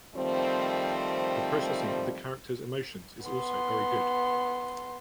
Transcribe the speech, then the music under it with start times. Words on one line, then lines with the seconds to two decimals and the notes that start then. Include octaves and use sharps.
The processing of the characters’ emotions is also very good.
0.15 D#3 F3 G3 A3 C4
3.26 B3 C6